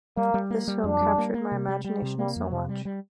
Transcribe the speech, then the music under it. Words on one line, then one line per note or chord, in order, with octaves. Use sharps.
This film captured my imagination so much.
G3 A#3
G3
A#3
G3
F2 D4
G3
A#3
A#3
C3
G3
G3
C3
G3 A#3
F2
C3 F3
G3
G3